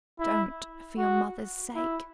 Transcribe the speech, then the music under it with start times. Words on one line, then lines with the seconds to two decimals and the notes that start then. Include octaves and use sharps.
Don't, for your mother's sake.'
0.19 E4
0.98 F#4
1.75 E4